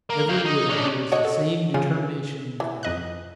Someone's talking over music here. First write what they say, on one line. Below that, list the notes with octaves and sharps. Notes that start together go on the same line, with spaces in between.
Everywhere there is the same determination and courage.
A#3
G4 F5
D#4
C#4 D4
F#4 C#5 D#5 F#6
A4
C#3 F4 G#4
E3
F2 D#5 F#6